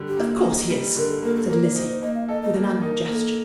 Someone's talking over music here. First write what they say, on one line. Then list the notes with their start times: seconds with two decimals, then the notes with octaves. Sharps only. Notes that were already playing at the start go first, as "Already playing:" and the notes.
"Of course he is," said Lizzie, with an angry gesture.
Already playing: D3 G3
0.08 G4
0.17 A#3
0.43 D#4
0.70 G3
0.96 D3 A#4
1.09 A4
1.23 A#3 A#4
1.36 A4
1.49 A#3 A#4
1.63 D5
1.76 D#4 C5
1.89 C5
2.02 A#3 D#5
2.15 F5
2.28 A4 D#5
2.42 D#5
2.55 A#3
2.81 D#4 A#4
3.08 A#3 A4 A#4